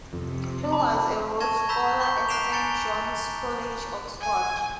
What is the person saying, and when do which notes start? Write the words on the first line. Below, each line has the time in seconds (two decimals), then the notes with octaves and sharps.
He was a Rhodes Scholar at Saint John's College, Oxford.
0.13 F2 C3
0.72 A5 B5 D6
1.40 A5 C#6 G#6 A#6 E7
1.69 A#5 B5 C#6 E6 G6 B6
2.00 C#6 D6 G6
2.29 F#6 B6 C7 D7 E7 F7
2.52 G#5 A#5 A6 C#7 G7
4.20 G#5